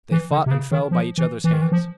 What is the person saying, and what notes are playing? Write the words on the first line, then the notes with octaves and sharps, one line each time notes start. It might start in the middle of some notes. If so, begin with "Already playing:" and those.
They fought and fell by each other's hands.
E3
D3
C3
C#3
D#3
F3
E3
E3
D#3
E3
F3